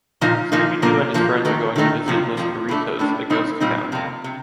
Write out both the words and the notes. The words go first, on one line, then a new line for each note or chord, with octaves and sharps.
Scooby-Doo and his friends are going to visit Los Burritos, a ghost town.
A#2 F3 A#3 D#4
A#2 F3 A#3 D#4
A#2 F3 A#3
A#2 F3 A#3
D#3 A3 D#4
D#3 A3 D#4
F2 C3 F3
F2 C3 F3
A2 A3 D4
A2 A3 D4
A#2 G3 C4 D#4
A#2 G3 C4 D#4
F2 C3 A#3
C3